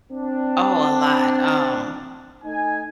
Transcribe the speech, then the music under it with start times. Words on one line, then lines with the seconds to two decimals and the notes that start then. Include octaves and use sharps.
Oh, a lot. Um,
0.10 C4 D4
2.43 A3 D#4 G#5